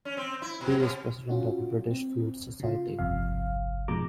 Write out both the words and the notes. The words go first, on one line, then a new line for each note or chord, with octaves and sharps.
He is President of the British Flute Society.
C#4
C4
E4
B2
C3
C#4 F4 F#4
C4
C#3 F4
G1 C2 F2 C3 F5
G#2 B2 F3 G#3 A#5 D6